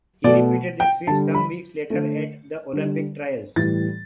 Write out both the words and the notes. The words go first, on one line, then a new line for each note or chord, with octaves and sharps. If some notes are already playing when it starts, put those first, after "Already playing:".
He repeated this feat some weeks later at the Olympic Trials.
B2 A3 D5
G5
D3 G3 A5
B5
D3 A3
D3 G3
A2 E3 G3 A6